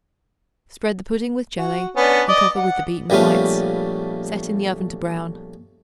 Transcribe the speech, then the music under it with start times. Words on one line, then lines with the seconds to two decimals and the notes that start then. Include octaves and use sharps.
Spread the pudding with jelly and cover with the beaten whites; set in the oven to brown.
1.58 F#4
1.96 B3 C#4 D4
2.28 D5 D#5
2.56 F#5
3.10 A#1 G3 A3 B3 C#4 F5